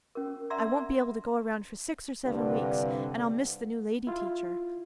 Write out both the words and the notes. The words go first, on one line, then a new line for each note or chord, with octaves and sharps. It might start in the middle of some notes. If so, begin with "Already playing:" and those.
I won't be able to go around for six or seven weeks and I'll miss the new lady teacher.
C#4 A#4
D5 E5 F#5 A#5 C6 E6
C2 G2 D3
E4 F4